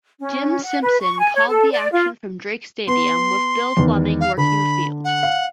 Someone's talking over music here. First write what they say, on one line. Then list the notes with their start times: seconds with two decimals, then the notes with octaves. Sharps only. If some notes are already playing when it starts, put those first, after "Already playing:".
Jim Simpson called the action from Drake Stadium with Bill Flemming working the field.
0.20 C#4
0.64 F#5
0.83 B4
1.00 C#6
1.20 G#5
1.35 C#5
1.48 A4
1.72 D5
1.92 F4
2.88 B3 C6
3.77 E2 D#3
4.21 F5
4.38 D3 B5
5.05 F#5
5.23 F5